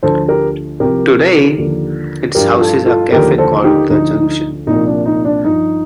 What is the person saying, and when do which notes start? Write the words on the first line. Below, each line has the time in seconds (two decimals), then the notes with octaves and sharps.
Today, it houses a cafe called "The Junction".
0.03 D2 D3 F3 A4 C5
0.28 G4 A#4
0.80 C2 C3 F3 G4 A#4
1.58 D#2 D3 F3
2.35 G2 F3 G4 A#4
2.60 F4 A4
2.86 F4 A4
3.12 D#2 D3 F3 G4 A#4
3.38 A4 C5
3.64 D#4 G4
3.90 D2 D3 F3 D#4
4.67 C2 A#2 F3 D#4
4.87 D4
5.06 D#4
5.25 D4
5.44 G2 F3 D#4